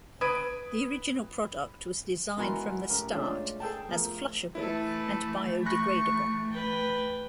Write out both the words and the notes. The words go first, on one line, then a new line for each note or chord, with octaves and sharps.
The original product was designed from the start as flushable and biodegradeable.
B4 D#6 G#6 D7 D#7
G#2 E3 B3 F#4 A#4 C6
A1 A#4
G#3 A3 C#4 D4 F4
G#4 A4 G5 A5
F3 A3 A#4
E3 A3 E4 A4 B4
B5 C#6 F#6 A#6
B4 G5